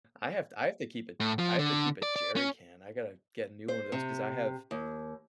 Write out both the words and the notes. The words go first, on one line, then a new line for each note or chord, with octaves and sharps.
I have to I have to keep a I have to keep a jerry can, I gotta get a new one of those 'cause I have
A2
F3
D3
D5
D5
C#4
C5
C3
D#2